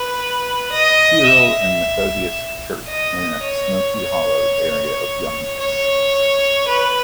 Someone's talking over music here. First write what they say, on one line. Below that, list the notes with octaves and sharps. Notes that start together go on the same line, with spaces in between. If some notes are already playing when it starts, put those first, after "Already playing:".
Cyril and Methodius Church, in the Smoky Hollow area of Youngstown.
Already playing: B4
D#5
E5
D#5
C#5
C#5
C#5
B4